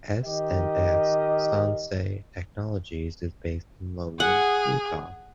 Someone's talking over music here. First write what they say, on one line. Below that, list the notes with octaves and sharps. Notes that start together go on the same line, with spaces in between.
S and S - Sansei Technologies is based in Logan, Utah.
D#3 G4 A#4 D#5
G#4 F#5